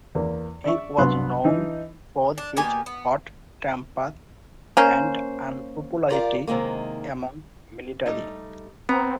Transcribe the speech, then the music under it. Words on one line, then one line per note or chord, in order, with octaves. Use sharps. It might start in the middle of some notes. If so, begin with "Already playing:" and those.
He was known for his hot temper and unpopularity among military.
E2 A#3
D5 E5 C#6
C2 G2 F#3 B3 C6 F#6
E3 D4 D#4
D4
B2 A#3 G4 G#5
B3
A#3 C#4 C5
F4 G4 A#4 D5 F5
C3 D#3 G#3 A#3
G3 A3 D#4
B3 C4 F#5 A#5